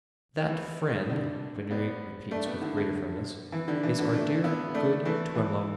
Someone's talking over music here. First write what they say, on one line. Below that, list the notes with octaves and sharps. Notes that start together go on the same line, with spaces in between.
'That friend,' Veneering repeats with greater firmness, 'is our dear good Twemlow.
E3
D3 G3
G3 B3
A3 D4
G3 B3
D3
D3
E3
D3 G3
E3
D3
A3 D4
B3 E4
A3 D4
E3 A3
E3